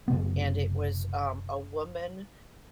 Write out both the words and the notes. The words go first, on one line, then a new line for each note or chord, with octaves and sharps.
and it was, um, a woman
F#1 C3 B3